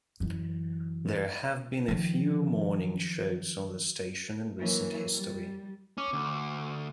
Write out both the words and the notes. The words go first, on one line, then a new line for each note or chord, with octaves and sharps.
There have been a few morning shows on the station in recent history.
F#2 E3
D#3 F3
E3 F#3 A#3 C#4 E5
G3
C#4 D6
D2